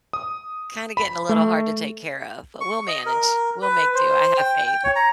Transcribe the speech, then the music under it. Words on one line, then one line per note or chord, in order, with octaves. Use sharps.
kinda getting a little hard to take care of, but we'll manage. We'll make do, I have faith.
D#6
B5
A3
C#6
D#5
A#4
B4
C5
G5
G5
C#5
A#5